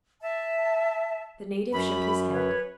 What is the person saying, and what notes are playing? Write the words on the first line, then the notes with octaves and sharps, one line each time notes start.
The native shook his head.
E5 A5
F#2 B5
B4 C#5